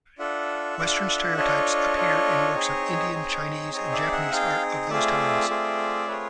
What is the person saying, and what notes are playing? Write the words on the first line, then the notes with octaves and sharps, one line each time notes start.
Western stereotypes appear in works of Indian, Chinese and Japanese art of those times.
D4 F4 A4 E5 F#5
D4 F4 A4
D4 F4 A4 C#5 D#5
D4 F4 A4
C4 D#4 G#4
C4 D#4 G#4
C4 D#4 G#4 C#5 D#5
D5 E5
E5 F#5
C4 D#4 G#4 F5 G5
A3 C4 F4 G#4 D5 E5
A3 C4 F4 G#4
A3 C4 F4 G#4 B4 C#5